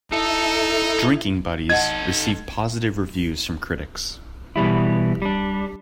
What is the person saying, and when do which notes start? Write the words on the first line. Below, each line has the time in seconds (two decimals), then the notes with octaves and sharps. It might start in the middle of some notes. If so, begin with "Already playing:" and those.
"Drinking Buddies" received positive reviews from critics.
0.12 D#4 E4 A4
1.70 D#4 A4 D#5 F#5 G#6
4.56 B2 E3 G3 E4
5.22 G3 D4